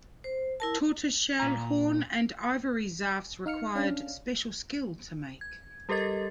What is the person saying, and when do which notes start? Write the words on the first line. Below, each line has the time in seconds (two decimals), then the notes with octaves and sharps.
Tortoiseshell, horn and ivory zarfs required special skill to make.
0.24 C5
0.60 E4 A#4 A5
1.39 A#2 A#5
3.46 D#4 F5 F6 C#7
3.75 C#4 D4 F5
5.41 G#6
5.89 G3 G4 A4 A#4 D#5 A6